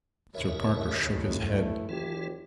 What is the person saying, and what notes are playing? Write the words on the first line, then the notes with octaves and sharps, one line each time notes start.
Mr. Parker shook his head.
D#2 C#3 A#4 C#5 E5
C#2 A2 A3
F#1 E3 F4 G4